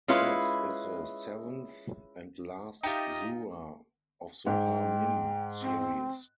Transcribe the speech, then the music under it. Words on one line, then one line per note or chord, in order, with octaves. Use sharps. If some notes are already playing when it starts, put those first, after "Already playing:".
This is the seventh and last Surah of the Ha Mim series.
G#3 C#4 E4 F4 B4
D#4 F4 G4 D#5 E5 G5 C#7
G#2 G5
C4